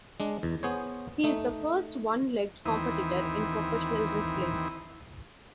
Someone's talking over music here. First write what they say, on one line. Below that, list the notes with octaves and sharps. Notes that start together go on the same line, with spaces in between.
He is the first one-legged competitor in professional wrestling.
G#3 D4
E2
B3 G#4 C5 C#5
A3 D#4
D#2 E3 C4 E4 D#6